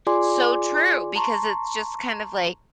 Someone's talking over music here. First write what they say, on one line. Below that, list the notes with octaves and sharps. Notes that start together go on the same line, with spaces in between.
so true because it's just kind of like,
F4 G#4 D5 G#5 C6 D6
A5 A#5 C6 C#6